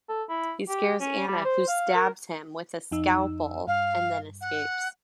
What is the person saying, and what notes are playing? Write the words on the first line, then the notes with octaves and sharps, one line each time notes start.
He scares Anna who stabs him with a scalpel, and then escapes.
A4
E4
G4
C#4
G3
C5
F5
A#4
F2 D#4 E6
G2 F5
F#5